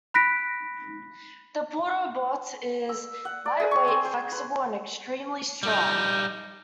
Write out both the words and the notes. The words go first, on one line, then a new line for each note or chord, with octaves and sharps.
The Porta-Bote is lightweight, flexible and extremely strong.
B5 F#6 A#6 B6 D7
E6
F#5
D5
G#4
C#6
C4
C5
B4
G3 D#4